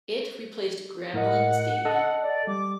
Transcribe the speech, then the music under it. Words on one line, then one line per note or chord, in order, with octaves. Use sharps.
It replaced Grambling Stadium.
A2 A#4 D#5 F#5
A4 D#5 A5
D5
G3 D6